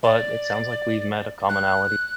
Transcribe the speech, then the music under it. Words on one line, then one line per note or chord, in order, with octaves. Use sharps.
but it sounds like we've met a commonality.
D5
F#6